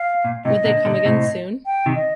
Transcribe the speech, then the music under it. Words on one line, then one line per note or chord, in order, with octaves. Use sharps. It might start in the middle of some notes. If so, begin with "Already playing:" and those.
Would they come again soon?
Already playing: F5
A#2
A2 C3 D#5
A#2 D3
A#2 D3
A2 C3
G5
C3 D#3
D#5